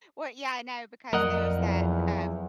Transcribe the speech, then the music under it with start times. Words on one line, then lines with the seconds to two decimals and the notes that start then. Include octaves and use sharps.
Well, yeah, I know because there's that, um,
1.13 F2 F#3 A#4 D#5 F#5
1.60 E2